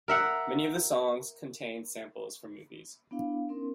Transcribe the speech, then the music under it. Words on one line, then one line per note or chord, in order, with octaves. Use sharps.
Many of the songs contain samples from movies.
A#4 E5 F#5
B3 D4 E4 F5
B3 C#4 D#4 A#4 C6